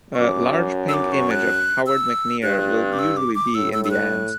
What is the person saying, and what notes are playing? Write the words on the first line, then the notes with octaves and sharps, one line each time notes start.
A large pink image of Howard McNear will usually be in the ads.
C#6
F#2 D6
E6
D6
C#6
F#6
E6
G2 F#6
D6
E6
D6
D6
A2 E6
E6
E6
F#6